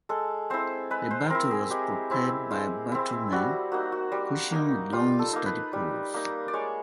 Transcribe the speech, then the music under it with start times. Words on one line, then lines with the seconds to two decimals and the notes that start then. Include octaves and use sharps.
The bateau was propelled by bateaumen pushing with long sturdy poles.
0.09 G#3 A4
0.50 C4 E4 C5
0.91 G#3 B4
1.11 C5
1.30 C4 E4 A#4
1.51 G#4
1.71 G#3 G4
2.11 C4 E4
2.51 G#3
2.92 C4 E4
3.32 G3 F#4
3.72 A#3 D#4 F#4
3.92 F#4
4.12 G3
4.52 A#3 D#4
4.93 G3 F4
5.19 A4
5.33 A#3 D#4
5.46 B4
5.73 G3
6.14 A#3 D#4
6.48 D5
6.53 G#3 C#5